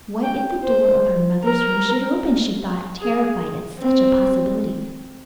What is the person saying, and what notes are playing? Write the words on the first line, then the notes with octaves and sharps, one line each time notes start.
What if the door of her mother's room should open, she thought, terrified at such a possibility.
G5
C5
A#4
G#4
C4